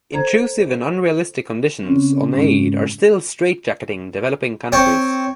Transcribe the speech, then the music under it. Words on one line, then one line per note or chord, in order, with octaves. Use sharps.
Intrusive and unrealistic conditions on aid are still straight-jacketing developing countries.
A4 C5 A#5 G#6
C#3 C4 C#4
G#2 G#3 C#4
C4 C#5